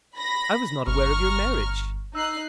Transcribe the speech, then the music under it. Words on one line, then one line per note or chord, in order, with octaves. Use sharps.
"I was not aware of your marriage."
B5 A#6
G1 A#5 C#6 F6
D#4 E6 F#6 C7